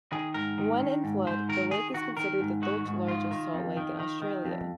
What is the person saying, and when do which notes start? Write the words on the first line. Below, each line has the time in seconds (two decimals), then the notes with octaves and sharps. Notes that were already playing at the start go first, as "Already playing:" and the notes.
When in flood, the lake is considered the third largest salt lake in Australia.
0.12 D#3 G#4
0.34 G#2 A#4
0.58 D#3
0.80 D#3
1.04 G#2
1.26 G#2 C5
1.49 D#3 A#4
1.71 D#3 G#4
1.94 D#3 F#4
2.17 D#3 A#4
2.40 G#2
2.62 D#3 F#4
2.85 G#2
3.08 D#3 F4
3.31 D#3
3.54 F2
3.77 D#3
4.00 D#3
4.22 D#3
4.45 F2